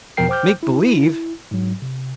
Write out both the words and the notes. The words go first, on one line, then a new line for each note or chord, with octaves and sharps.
"Make believe!"
E2 B2 F3 A#4 G5 C7
C5 G5 D6 F6 G6
E4
G#2 F#3
C3